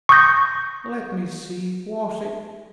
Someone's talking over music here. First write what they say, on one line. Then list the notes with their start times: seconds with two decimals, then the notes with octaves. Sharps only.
Let me see--was it?
0.09 C#6 D#6 G6 A#6